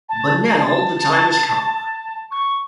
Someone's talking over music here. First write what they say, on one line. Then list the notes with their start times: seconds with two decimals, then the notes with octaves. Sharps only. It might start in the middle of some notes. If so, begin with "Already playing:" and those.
But now the time has come.
0.09 A5
0.51 A#5
0.58 A5
2.31 C#6